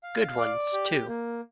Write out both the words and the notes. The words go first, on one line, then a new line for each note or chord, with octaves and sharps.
Good ones too.
F5
D5
G4
A#3